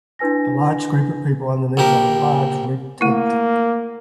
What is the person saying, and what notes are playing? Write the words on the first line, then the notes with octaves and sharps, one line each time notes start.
A large group of people underneath a large red tent.
D4 E4 B4 G#5 A#6
A#1 F3 G4 A#4
A3 A#3 E4